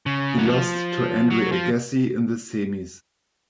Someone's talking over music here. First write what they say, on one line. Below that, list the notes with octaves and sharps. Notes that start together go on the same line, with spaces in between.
He lost to Andre Agassi in the semis.
C#3
F#3
F3
F#3
F3